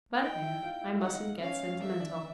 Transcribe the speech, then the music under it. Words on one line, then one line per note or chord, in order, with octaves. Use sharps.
But there, I mustn't get sentimental.
D#4 D#5 G5
E4 E5
F4 F5
E4 E5
E5
D#4 D#5 F#5
C#4 C#5 F5
D4 D5 E5
D4 D5